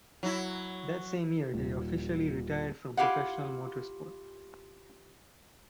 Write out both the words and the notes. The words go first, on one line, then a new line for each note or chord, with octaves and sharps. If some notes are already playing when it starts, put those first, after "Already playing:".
That same year he officially retired from professional motorsport.
F#3 E4
D#1
E4 F4 G4 F5 F#5